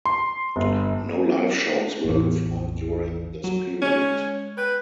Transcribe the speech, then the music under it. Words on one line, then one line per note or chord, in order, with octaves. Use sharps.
No live shows were performed during this period.
C6
G1
A1 E2
F#3
G#3 C#4 G#6
B4 G5